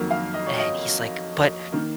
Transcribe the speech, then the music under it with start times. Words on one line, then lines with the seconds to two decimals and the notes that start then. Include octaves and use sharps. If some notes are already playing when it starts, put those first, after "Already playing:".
And he's like, "But
Already playing: F2 D#3 F#3 A#3
0.10 F5
0.34 D#5
0.46 C#5
0.59 D#5
1.72 D#3 A#3